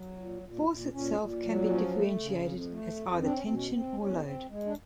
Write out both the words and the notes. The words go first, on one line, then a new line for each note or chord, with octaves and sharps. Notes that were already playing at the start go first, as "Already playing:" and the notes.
Force itself can be differentiated as either tension or load.
Already playing: F#3
A#2
A#2
A#2
A#2 C#4
A#2
F#3
F3 C#4
A3
C#3
F2
A3
F2
C4 D4
C#4
B2 C4
C#4
C4
E2 C#4
C4
G#3
D4